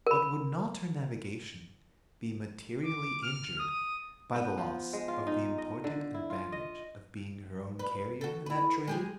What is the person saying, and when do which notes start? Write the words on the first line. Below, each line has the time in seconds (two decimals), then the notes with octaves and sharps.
But would not her navigation be materially injured by the loss of the important advantage of being her own carrier in that trade?
0.07 A#4 B5
2.85 D6
3.23 F6
3.59 D#6
4.36 B3
4.58 F3
4.93 G#3
5.08 F4
5.27 D#4
5.58 D#5
5.84 D3
6.14 E4
6.30 F4
6.52 D#5
7.79 B4
8.21 F#4 A4
8.46 E4 B4
8.87 G#3 G4 G#4